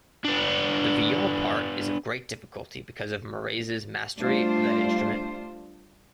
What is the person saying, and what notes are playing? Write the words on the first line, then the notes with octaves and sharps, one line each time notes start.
The viol part is of great difficulty because of Marais's mastery of that instrument.
B3 D4
G3 A3 D4 F4 C5